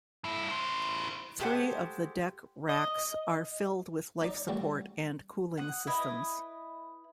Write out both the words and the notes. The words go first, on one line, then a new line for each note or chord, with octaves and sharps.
Three of the deck racks are filled with life support and cooling systems.
G2 E4
E4 C5
G#3 A3 G4 B4 C5 F#5
D#5
D#4 D5
A1 G3 F#4
F#5 D#6
E4 B4 D#5